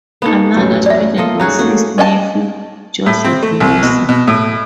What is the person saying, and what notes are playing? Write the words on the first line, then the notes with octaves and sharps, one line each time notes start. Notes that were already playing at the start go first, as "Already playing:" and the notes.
Another student was his nephew Joseph Moser.
A#3 B3 C#4 D#4 A4
A1 F#2
D5 E5
A#3 F4 A4 D#5
F#2 D#4 F#4 G#4
A3 A#3 C#4 F#4
C#4 D#5 F#5 A5
A2
C4
A3
C2
B2
B2
A2